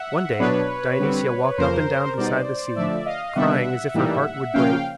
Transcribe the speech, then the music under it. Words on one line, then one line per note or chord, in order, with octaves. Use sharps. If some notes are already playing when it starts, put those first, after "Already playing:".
One day Dionysia walked up and down beside the sea, crying as if her heart would break.
Already playing: E5 F#5
B2 F#3 B3 D4 B4 C#5
D3 G3 C4
F2 C#3 F3 A#3 A#4 C5
B2 G3 B3 D#4 C5 D5
D3 F3 A3 D5 E5
D#5 F5
C3 D#3 G3 B3 D4 E5 F#5
A2 E3 G3 A#3 D#4
C#3 F3 A#3 C#4 F5 G5